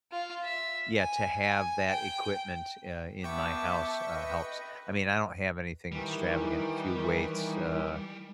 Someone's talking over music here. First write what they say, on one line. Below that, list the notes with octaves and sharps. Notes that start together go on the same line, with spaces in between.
yeah, to have that equipment, uh, in my house, uh, helps. I mean, I don't have anything extravagant, a few weights, uh,
F4
E5
G#5
G#5
G5
B3 E5 G5 A5 C#6 D6
B4 D#5
D#3 E3 G3